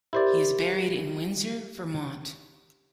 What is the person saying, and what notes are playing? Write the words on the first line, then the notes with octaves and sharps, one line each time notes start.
He is buried in Windsor, Vermont.
E4 G4 A#4 C5 D5